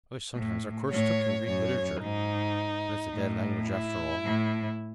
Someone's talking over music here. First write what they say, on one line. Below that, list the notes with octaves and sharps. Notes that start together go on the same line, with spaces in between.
I wish sometimes our course took in Greek literature, but it's a dead language after all.
A2
A2 C#5
F#2 C#5
G#2 D#4
A2
E4
A2